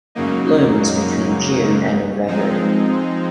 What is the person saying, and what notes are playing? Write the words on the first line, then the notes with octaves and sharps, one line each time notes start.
It blooms between June and November.
F#2 C#3 F#3 A#3 D#4
F3 G#3 C4 D#4